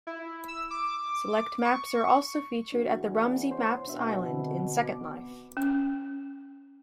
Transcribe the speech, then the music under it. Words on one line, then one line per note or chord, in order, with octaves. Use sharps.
Select maps are also featured at the Rumsey Maps island in Second Life.
E4
E6
D6
C#6
E2 D4 F#4
C5 C#5 C6
B2 D4 E5
D3 C4
B3 D6
C#4